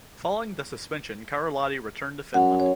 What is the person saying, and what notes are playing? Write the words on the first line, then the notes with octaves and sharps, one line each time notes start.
Following the suspension, Karalahti returned to Finland.
F#2 F#5
C#5